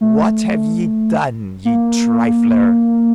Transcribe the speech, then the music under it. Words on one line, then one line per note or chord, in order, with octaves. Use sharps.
"What have ye done, ye trifler?"
A3
A#3